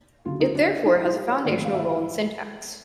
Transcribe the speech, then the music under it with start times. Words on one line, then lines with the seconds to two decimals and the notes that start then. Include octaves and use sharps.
It therefore has a foundational role in syntax.
0.25 D2 C#3 F#3 F4
0.40 D#4
0.55 D4
0.85 D#4
0.95 E4
1.04 F4
1.15 G4
1.29 C#5
1.45 G#1 G#2 F3 A3 D5
1.65 F5
1.74 E5
1.89 F5